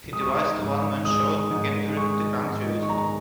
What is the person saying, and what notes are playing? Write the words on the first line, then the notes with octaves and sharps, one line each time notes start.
He devised a one-man show and began touring the country with it.
G#3 D#6
C#6
D#6
D#4
G#2
D#3
G#3 D#6
D#4
G#2
D#3
G#3 C#6
D#4
G#2
D#3
C#6
G#3 A#5